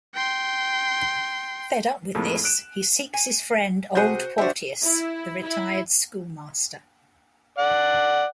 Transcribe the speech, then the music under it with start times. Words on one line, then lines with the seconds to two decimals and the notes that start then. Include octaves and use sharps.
Fed up with this, he seeks his friend Old Porteous, the retired schoolmaster.
0.14 G5 C6
2.15 F2 A2 G#3 A#3
2.44 F#6 D7 E7
3.14 G#5
3.95 C3 F#4 G#4 C5 G6
4.38 G3 D4 F#4 C5 E5
4.82 E4
5.41 E4
7.58 D5 F#5